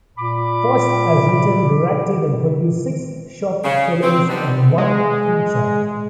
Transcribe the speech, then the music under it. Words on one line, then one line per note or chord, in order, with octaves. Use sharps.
Faust has written, directed and produced six short films and one feature.
A#2 B5 D6
C#3
C4
D3 D#3 G3 B3
G#3